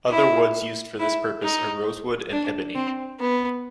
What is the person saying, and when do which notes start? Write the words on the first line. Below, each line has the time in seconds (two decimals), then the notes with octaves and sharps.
Other woods used for this purpose are rosewood and ebony.
0.11 E4
0.99 E4
1.43 D#4
2.32 D4
2.75 C4
3.20 B3